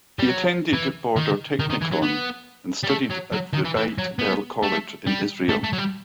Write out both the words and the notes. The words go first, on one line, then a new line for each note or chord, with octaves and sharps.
He attended Border Technikon and studied at the Beit Berl College in Israel.
G3
F#3
E3
D#3
D#3
D#3
E3
F#3
B3
G3
A3
F#3
F#3
D#3
E3
E3
F#3
B3
A3
G3
A3
A3
F#3
G3